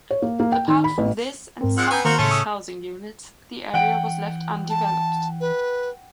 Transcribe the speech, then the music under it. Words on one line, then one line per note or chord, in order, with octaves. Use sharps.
Apart from this and some police housing units, the area was left undeveloped.
C#5
A#3
A#3
G5
D#3
B5
A1
G#2 C4 A#4 C5
F3 G#3 F#5 E6 C7
B3 G5 G#5 A#5 G6
D#3 A#3 F#4 A#4 C5
A2 C#3 A3 C#4 A5 C6
C#6 D#6 E6
E3 F#5 G5 D7
A5
B4